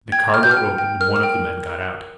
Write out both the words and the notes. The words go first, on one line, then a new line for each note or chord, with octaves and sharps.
The car door opened, and one of the men got out.
G5 G#6
G5 F6
G6
F6
G5
G5
A#4 F6
F6
G5